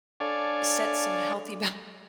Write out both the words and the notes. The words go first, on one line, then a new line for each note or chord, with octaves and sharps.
set some healthy boun
D4 A4 C#5 D5 F5 G#5